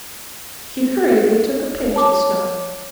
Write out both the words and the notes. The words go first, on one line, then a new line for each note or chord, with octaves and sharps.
He hurriedly took a pinch of snuff.
C#5 A5 D6